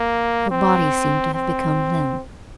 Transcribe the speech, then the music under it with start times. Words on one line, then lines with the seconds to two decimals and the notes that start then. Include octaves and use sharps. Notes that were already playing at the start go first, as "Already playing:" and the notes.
Her body seemed to have become limp.
Already playing: A#3
0.51 C4
1.34 C4